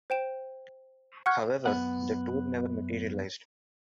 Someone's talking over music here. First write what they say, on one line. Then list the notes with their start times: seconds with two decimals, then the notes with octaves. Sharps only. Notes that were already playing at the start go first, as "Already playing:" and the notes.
However, the tour never materialised.
0.10 C5 G5 E7
1.26 F#5 C#6 F6 F#6 G#6 C#7
1.66 F#2 B3 F#5